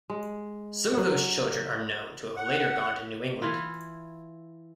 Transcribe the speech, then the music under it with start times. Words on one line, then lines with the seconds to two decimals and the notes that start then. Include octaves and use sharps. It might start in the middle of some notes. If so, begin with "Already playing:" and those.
Some of those children are known to have later gone to New England.
0.10 G#3
0.93 F#3 F#5
2.37 F#5
3.42 E3 E4 F4